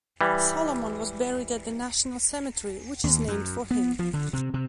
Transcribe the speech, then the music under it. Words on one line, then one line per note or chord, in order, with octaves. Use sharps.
Solomon was buried at the national cemetery which is named for him.
E3 G3
D#2
F#2
B3
F3
D3
C3
C3